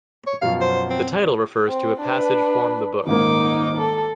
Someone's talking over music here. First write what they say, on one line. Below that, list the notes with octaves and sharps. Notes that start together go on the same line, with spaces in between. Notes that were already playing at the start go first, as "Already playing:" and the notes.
The title refers to a passage form the book.
C#5
F#2 B2 F3 F5
C5
C4
C4
D4 B4
D#1 G#2 A#3 D#4 D6
A4